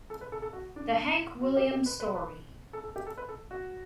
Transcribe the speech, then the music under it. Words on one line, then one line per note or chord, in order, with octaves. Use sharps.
The Hank Williams Story.
A4
B4
A4
A4
F#4
D4
F#4
G4
G4
B4
B4
B4
A4
A4
G4
A4
B4
A4
F#4